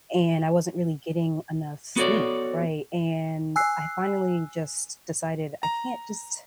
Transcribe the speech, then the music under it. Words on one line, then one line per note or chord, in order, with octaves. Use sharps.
and I wasn't really getting enough sleep, right? And I finally just decided I can't just
B3 F#4 A4 C#5 D5
G#5 E6 F#6 C7
A#5